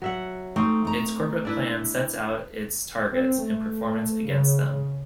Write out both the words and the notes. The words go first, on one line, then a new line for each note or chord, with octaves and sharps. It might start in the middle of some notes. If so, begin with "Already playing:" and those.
Its Corporate Plan sets out its targets and performance against them.
F#3 E5 F#5
A3 C4 D#4
A3 A#5
D4 E4 B4
C4
A3
C#3